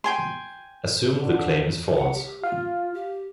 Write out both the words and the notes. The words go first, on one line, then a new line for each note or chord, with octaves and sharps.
Assume the claim is false.
G5 G#5 C6
D3
F#5
G4
F4 F5
G4